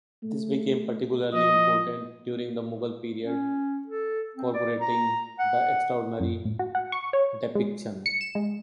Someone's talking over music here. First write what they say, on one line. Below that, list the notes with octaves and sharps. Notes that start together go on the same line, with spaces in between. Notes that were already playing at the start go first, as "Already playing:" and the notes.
This became particularly important during the Mughal period corroborating this extraordinary depiction.
A3
F3 D#5
C#4
A4
C4
D5
A#5
F#5
F#2
A2
F#4
F#5
C#6
C#5
G#3
C#7
E7
G#3